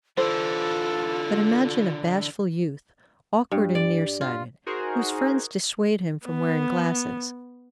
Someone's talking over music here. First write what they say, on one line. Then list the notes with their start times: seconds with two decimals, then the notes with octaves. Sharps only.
But imagine a bashful youth, awkward and near-sighted, whose friends dissuade him from wearing glasses.
0.17 D3 E3 F4 A4 C5
3.51 G2
3.75 D5
4.21 F4
4.66 D#4 F#4 G#4 A#4 C5
6.25 B3